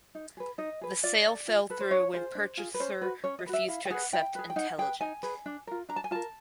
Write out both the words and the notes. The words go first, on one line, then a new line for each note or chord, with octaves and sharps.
The sale fell through when purchaser refused to accept "Intelligent".
D#4
G#4 B4
D#4 D#5
G#4 B4
F4 D5
A4
F4
A4 B4
C5
D4 C#5
F4 G#4 C5
D4
F4 G#4
B4
C#4 C5
F#4 B4
C#4 C#5
D#5
B4
F#4 E5
E4 F5
G5
G#4 B4 F#5
E4 G5
G#4 B4
G5
D#4 F#5
G#4 B4 G5
D#4 G#5
G#4 B4
D4
F4 A#4
D4 A#5
A5
G#5
F4 A#4 A5